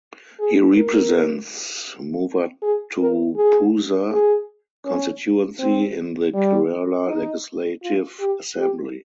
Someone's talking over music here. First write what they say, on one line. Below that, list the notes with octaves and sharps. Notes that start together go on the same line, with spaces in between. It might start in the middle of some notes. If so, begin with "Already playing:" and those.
He represents Muvattupuzha constituency in the Kerala Legislative Assembly.
G#4
A#4
G#4
A#4
G#4
G#4
C#4
C4
G3
D#4
F4
G4
G4